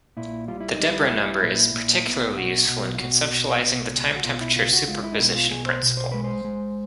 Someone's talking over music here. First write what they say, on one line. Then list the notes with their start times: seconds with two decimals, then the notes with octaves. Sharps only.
The Deborah Number is particularly useful in conceptualizing the time-temperature superposition principle.
0.17 A#2 E4
0.48 G3 F4
0.61 E4
0.73 D#4
0.80 G3
0.85 E4
1.11 G3
1.43 A#2
1.74 A#2
2.05 B3
2.37 B2 F#4
2.68 B2 F#4
2.95 F4
2.99 B2 F#4
3.31 B2
3.63 B2
3.94 C#2
4.16 F#4
4.25 B2 F4
4.41 E4
4.56 C#2 F4
4.73 F#4
4.88 G#3 F4
5.03 E4
5.12 D#4
5.19 B2 E4
5.30 F#4
5.35 F4
5.51 B2 G#4
5.66 C5
5.83 B2
5.97 C5
6.12 G#3 B4
6.24 C5
6.44 G#3